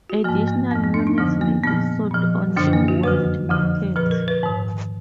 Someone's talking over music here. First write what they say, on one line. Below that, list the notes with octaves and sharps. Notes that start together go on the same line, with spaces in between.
Additional units may be sold on the world market.
F#4
G#2 F3 A#3
A#3
F2 F3 B3
B3
D4
D#4
F2 D3 F3 B3
A#3
A#2 F3 B3
A#2 F3
F#2 D3 F3 D4
A#3
F#4
F2 D3 F3 B4
F2 D3 F3
A#2 F3 B4
A#4
B4
G#2 D#3